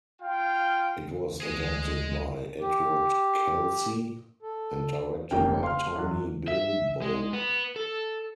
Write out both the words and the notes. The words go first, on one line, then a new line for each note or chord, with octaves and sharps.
It was adapted by Edward Kelsey and directed by Tony Bilbow.
F4 F5 G5
D2 G#3 G#4
G4
A4
F1 D#3 A#3 C#4 G5
F5 C6 F6
E2 F#3 F#6
E5
G#3
B3
A4